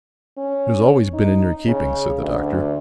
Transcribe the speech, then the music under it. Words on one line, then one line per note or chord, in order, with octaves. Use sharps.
"It has always been in your keeping," said the Doctor.
C#4
D#4
C#3
D2